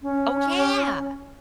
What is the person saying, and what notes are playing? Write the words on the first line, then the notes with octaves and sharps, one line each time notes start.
Oh, yeah.
C#4